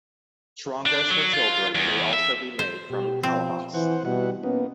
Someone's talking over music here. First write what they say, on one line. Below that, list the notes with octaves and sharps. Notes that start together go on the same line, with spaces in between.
Charangos for children may also be made from calabash.
D4
F#3
F4
E2
E5
C5
B2 G4
F3 C4
E3 C5 F#5
B2 G3 E4 F#5
A#3 B3 C#4 D#4